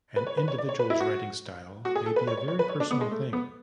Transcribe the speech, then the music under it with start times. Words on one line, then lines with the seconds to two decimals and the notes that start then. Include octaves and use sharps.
An individual's writing style may be a very personal thing.
0.16 B4
0.27 C#5
0.37 B4
0.48 C#5
0.58 D5
0.69 C#5
0.79 B4
0.90 E4
1.00 F#4
1.85 F#4
1.95 G#4
2.06 A4
2.16 B4
2.27 C#5
2.37 C#5
2.48 C#5
2.59 B4
2.69 C#5
2.80 D4
2.91 B3
3.01 G#3
3.11 A3
3.33 B3